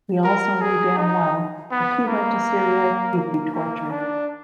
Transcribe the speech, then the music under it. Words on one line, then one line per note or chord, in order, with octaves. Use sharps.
We also knew damn well, if he went to Syria, he'd be tortured.
A#4
G#4
D#4
B3
A#3
A#3
A#3
D4